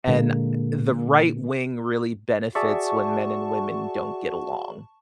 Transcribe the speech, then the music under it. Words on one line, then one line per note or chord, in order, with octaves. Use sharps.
and, uh, the right wing really benefits when men and women don't get along.
A#2 D3 G#3 A#3
F#4 G#4 D5 E5 A5 C#6